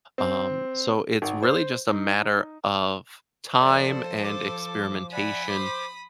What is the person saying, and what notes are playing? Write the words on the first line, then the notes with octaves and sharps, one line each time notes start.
Um, so it's really just a matter of time and experimentation
C4
G#1
C5
D#4
F3 A4 C5 D5
D6
D5 E5 F#5 G#5 B5 D#6
C5 D6